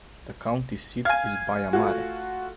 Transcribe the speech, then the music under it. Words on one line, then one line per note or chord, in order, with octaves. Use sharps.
The county seat is Baia Mare.
F5 G#5 G#6
A3 F4 F#4